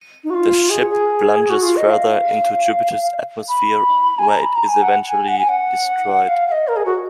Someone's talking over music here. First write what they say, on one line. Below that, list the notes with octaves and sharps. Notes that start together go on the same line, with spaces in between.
The ship plunges further into Jupiter's atmosphere where it is eventually destroyed.
D#4
F#4
F4
G#4
G#4
F#4
F4
D#5
F5
B5
G#5
A#5
B5
A#5
G#5
F#5
G#5
F#5
G#5
F#5
F5
F5
D#5
A#4
G#4
F#4